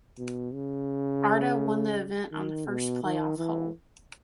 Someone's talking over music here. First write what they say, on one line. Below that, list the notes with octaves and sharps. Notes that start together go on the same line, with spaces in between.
Arda won the event on the first playoff hole.
B2
C#3
D#3
B2
D#3
E3